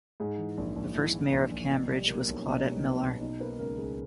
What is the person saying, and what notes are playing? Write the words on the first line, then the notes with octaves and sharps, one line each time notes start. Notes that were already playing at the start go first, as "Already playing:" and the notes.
The first mayor of Cambridge was Claudette Millar.
G#2 G#4
E3
A#1
A#1
G#2 E4
E3
A#1
A#1
B2
G3
A#3
B1
C#4
B2 D#4
D#4
G3 C#4
A#3 B3
B1 C#4
B2 D#4
A#3 B4
C#2 A#4
C#2 G#4